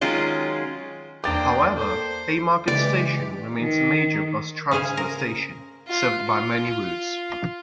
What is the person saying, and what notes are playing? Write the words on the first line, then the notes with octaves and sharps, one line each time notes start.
However, Haymarket station remains a major bus transfer station, served by many routes.
D#3 F#3 G#3 C#4 F4
E2 A#3 D4 C5 G5 D6 D#6 A6
A4 C5
C#3 E3 G#3 G4 D5
D#3
C#3 C#4 G#4 C5 F5
A#4
F4
F4